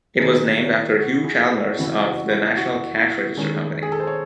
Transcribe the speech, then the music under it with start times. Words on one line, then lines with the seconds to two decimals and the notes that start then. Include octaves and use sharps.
It was named after Hugh Chalmers of the National Cash Register Company.
0.19 D#3 A3 D#4 G#4 C5
0.45 A4 C#5
0.72 E4
0.98 F#4
1.24 E4 G#4
1.51 F#4 A4
1.78 C#3 E3 A3 C4 E4 F#4
2.05 F#4
2.30 E4
2.57 F#4
2.96 E4
3.37 D#3 G#3 C#4
3.82 G#4
3.92 A4
4.00 C5
4.07 C#5